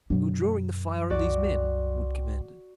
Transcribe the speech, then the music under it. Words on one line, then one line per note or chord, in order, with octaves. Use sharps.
"You're drawing the fire on these men," Wood commanded.
F#2 B2 F#3 D4
C2 F#4 D5